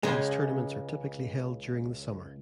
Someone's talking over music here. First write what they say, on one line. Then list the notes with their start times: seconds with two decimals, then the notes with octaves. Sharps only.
These tournaments are typically held during the summer.
0.03 C#2 C#3 G#3